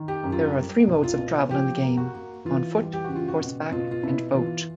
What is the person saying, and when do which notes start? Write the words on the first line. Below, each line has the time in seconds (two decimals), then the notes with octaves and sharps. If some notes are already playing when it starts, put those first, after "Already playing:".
There are three modes of travel in the game: on foot, horseback, and boat.
Already playing: D#3
0.08 G4
0.24 F#2
0.32 F4
0.56 G3
0.87 C2
1.04 F4
1.18 B2
1.50 F3 G4
1.82 A#3
1.97 F#4
2.14 A#3
2.45 E3 F4
2.78 G3
2.93 G4
3.04 C#3 F#4
3.16 F4
3.28 F#4
3.40 B2
3.72 B2 F4
3.91 F4
4.03 B2 E4
4.35 E3 F4